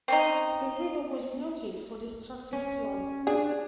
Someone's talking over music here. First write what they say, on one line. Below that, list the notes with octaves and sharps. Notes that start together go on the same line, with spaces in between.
The river was noted for destructive floods.
C4 C#4 D#4
C#4
D4 G#4